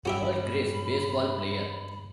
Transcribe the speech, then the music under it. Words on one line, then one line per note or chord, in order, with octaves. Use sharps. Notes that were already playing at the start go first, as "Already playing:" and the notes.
Earl Grace, baseball player.
G2 F#3 G3 C#4 F#4 G4 E5 B5